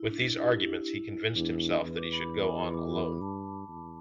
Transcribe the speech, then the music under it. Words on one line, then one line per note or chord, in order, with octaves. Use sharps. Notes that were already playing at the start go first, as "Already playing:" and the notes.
With these arguments he convinced himself that he should go on alone.
Already playing: E4
D4
E4
E4
G4
E4
E2 D4
E2 B4
D6
B5
D6
B5
B5
G2 A5
E2